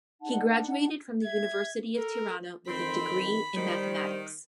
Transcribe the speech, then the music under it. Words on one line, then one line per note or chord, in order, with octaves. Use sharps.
He graduated from the University of Tirana with a degree in Mathematics.
D4 D#4 F#5 A5
E5 G#6
A4 A#4
F2 D#3 C4 B5
D#3 G3 C5